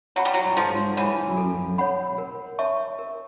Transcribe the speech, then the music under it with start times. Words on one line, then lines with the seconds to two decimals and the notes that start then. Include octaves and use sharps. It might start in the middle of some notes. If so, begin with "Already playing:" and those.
Pioneer Brewing Co.
0.16 F#3 C#5 F#5 B5
0.25 G3
0.34 F#3
0.57 F3 A4
0.97 E3 C#5 F#5 B5
1.37 A4
1.78 C#5 F#5 B5
2.18 A#4
2.59 C#5 E5 A5 C#6
2.99 A#4